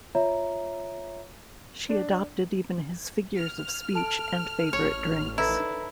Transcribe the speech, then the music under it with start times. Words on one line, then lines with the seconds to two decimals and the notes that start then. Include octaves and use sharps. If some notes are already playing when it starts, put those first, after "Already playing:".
She adopted even his figures of speech and favorite drinks.
0.15 F4 C#5 E5 A#5
1.89 D4
3.38 F6
3.93 A4 A5 D7
4.73 A1 C#5
5.38 D#3 D4 E4 A4 B4 A#5